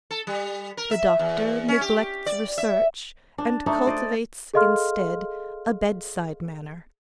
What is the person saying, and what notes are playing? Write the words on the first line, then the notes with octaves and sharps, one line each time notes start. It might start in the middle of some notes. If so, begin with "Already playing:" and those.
The doctor neglects research and cultivates instead a bedside manner.
A4
G3
A#4
E5
E2
C#4
G4
D5
E5
D4
A3 D4 D#4
C5 D5 D#5
G#4 A4 D#5 F5 C6 F6